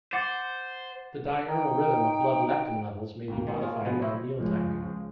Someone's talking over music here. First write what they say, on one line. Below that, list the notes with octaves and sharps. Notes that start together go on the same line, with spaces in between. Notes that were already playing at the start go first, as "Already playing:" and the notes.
The diurnal rhythm of blood leptin levels may be modified by meal-timing.
C5 F#5 D6 A6 C7
D#4 G5
G#1 D2 A#3
D#3 G#3 C4
A#3 F4 G#4 C#5
B2 D3 F3 G#3 B3
E4 C5 C#5 D#5 E5
C#2 C#3 F3 G#3